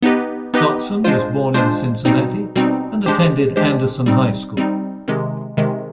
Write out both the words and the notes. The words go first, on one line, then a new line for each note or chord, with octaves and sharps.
Dotson was born in Cincinnati and attended Anderson High School.
B3 D#4 G4 B4 D#5
B3 D#4 G4 B4 D#5
G#3 D4 F4 C5
G#3 D4 F4 C5
B2 G3 C4 D#4
B2 G3 C4 D#4
G#3 D4 G4 C5
G#3 D4 G4 C5
G3 C4 D#4
G3 C4 D#4
C3 D#3 G#3
C3 D#3 G#3